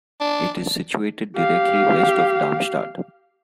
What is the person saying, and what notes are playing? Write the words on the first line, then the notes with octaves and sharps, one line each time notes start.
It is situated directly west of Darmstadt.
D4
G4 F5